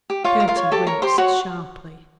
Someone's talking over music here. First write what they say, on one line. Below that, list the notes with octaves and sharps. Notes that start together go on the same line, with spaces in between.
Gerty winced sharply.
G4
F4 C#5 F5
A#4
F4 F5
C#5
G4 A4 A5
A#4 C#5 A#5
G4 C5 C6
F#4 C#5 F#5